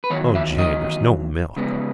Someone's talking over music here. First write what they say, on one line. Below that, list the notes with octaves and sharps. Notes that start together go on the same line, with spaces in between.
O, jay, there's no milk.
B4
E2 D#3 F#3 C#5
E5
D#5
C#3 G#3 B3